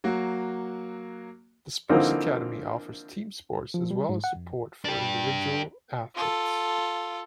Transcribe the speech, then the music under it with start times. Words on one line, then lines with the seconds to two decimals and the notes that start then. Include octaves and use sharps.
The Sports Academy offers team sports as well as support for individual athletes.
0.04 F#3 A#3 F#4
1.89 D3 E3 F3 A#3 C4 D#4
3.74 F3
3.91 G3
4.09 G#2
4.24 F#5
4.35 F2
4.85 D4 G4
6.15 F4 A4